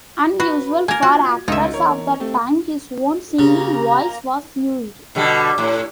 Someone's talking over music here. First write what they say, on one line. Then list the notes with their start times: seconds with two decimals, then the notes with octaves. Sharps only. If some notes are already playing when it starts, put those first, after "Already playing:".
Unusual for actors of the time, his own singing voice was used.
0.40 F#4 B4 B5
0.88 A#3 A#4 G#5 G#6
1.02 F4 F#4 D#5
1.48 C#2 G#3 A3 D#4 E5
1.74 E2 A#4 C#5
2.20 A3 C4 G4
3.39 C#3 A#3 G4 A#5
5.15 B2 D3 G3
5.58 A2